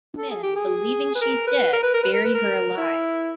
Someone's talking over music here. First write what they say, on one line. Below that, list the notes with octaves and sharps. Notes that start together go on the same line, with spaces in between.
The two men, believing she's dead, bury her alive.
A4
G#4
G4
G#4
B4
A#4
B4
A#4
B4
A#4
B4
A#4
B4
A#4
E4